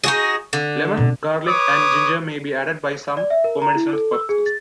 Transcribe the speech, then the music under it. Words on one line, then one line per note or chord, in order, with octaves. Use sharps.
Lemon, garlic and ginger may be added by some for medicinal purposes.
D#4 F#4 G#4
D3
B2 C4
B4 C#5 D6 D#6
D5
E5
A#4
A#5
E4
A4
E6
G#4
A6